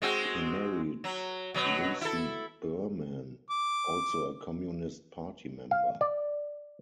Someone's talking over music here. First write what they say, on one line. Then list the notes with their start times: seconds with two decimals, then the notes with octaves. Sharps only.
He married Lucy Burman, also a Communist Party member.
0.02 G#3 C4 F#4
1.04 F#3
1.54 B2 F#3
2.01 E4 A4
3.50 D6
5.71 F5
6.01 D5